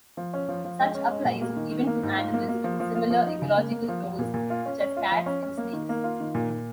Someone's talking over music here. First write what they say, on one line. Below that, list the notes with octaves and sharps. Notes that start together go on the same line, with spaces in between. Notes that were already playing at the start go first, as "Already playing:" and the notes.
Such applies even to animals with similar ecological roles such as cats and snakes.
F3
C#4
F3
F3
G#3
C#4
G#3
A#2
A#3
D#3
D#3
A#3
G#2
F4
A#3
A#3
F3
F3
F4
F3
D#4
C#3
A#3
A#3
F3
F3
A#2
A#2
F4
C#4
C#4
F4
F3
C#4
C#4
A#3
D#3
A#3
F4
D#3
A#2
A#2